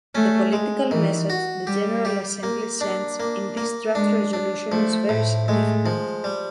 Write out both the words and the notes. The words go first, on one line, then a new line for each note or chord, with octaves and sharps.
The political message the General Assembly sends in this draft resolution is very significant.
A3 C#4
G#3
D#3 E3
F#4
G3 G4
G4
A#3
D4
A#3
A#3
G#3 D4
D4
F3 A3
A2
G#3 A3
F3
G3